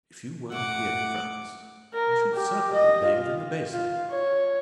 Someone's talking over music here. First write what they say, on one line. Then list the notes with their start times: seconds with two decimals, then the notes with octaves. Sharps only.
"If you weren't here, Frantz, I should certainly bathe in the basin."
0.52 F#2 A2 A3 F#5 D6
1.94 A#4
2.34 G4
2.74 D#5
3.05 F4
3.73 F4
4.11 C#5